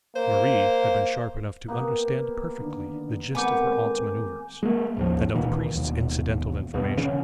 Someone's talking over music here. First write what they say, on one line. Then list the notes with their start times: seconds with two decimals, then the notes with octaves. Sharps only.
But Marie had been sharp enough to understand perfectly the gist of her aunt's manoeuvres and of the priest's incidental information.
0.16 A#3 C5
1.68 A#3 B3 G4
2.60 D3 D#3 D4
3.35 D#3 G#3 A3 B3 C4 G#5 D6 G6
4.63 G#3 A#3
4.97 A1 D#2 F3
5.35 C#2 A#2 D#3 E3
5.76 E1 D#2
6.74 G1 E2 B2
6.97 C#3 E3 C#4